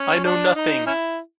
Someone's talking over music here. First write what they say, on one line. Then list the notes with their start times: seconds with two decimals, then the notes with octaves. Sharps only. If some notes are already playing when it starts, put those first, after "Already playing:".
I know nothing!
Already playing: C#4
0.25 D4
0.55 D#4
0.86 C#4 E4